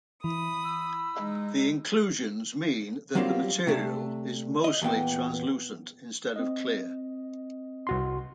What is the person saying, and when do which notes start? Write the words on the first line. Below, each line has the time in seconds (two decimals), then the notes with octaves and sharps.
The inclusions mean that the material is mostly translucent instead of clear.
0.24 E3 B5 D#6
0.64 E6
1.16 G#3 D#4
3.15 F#3 G3 A#3 C4 D4 F4
3.67 C3 A3 D4
4.64 D#5
4.82 E2 A#2 B3 G5
6.36 C4 D#5
7.87 C2 F#4 C6